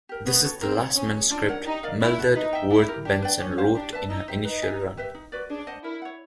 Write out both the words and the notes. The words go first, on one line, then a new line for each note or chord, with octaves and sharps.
This is the last manuscript Mildred Wirt Benson wrote in her initial run.
G4 A#4
B3 C#4
F#4 A4 C#5
C4 A#4
C#5 F#5
C#4 D#4
G#4 C#5
D4 F4
A#4 C#5 F#5
D#4 G4
A#4 D5 F5
C#4 E4
F#4 A4
D#4 B4
E5 G5
D4 E4
G4 A#4
D4 G4
B4 D5 G5
C#4 D4
G4 C5 F5
D4 G4
B4 E5 A5
D#4 E4
G4 C5 E5
D#4 B4
E5 G#5
E4
G4 B4 E5
D#4
F#4 B4 D5
D4 G#4
C5 D#5 F#5
E4 A#4
C#5 F#5